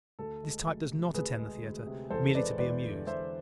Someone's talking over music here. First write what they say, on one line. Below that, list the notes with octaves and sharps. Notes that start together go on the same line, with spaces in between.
This type does not attend the theater merely to be amused.
D2 A4
G#3
D2
C3
D2 G#4 B4
G#3
D2
C3
E2 A4 C5
G#3 B4 D5
E2 B4 D5
D3
E2 C5 E5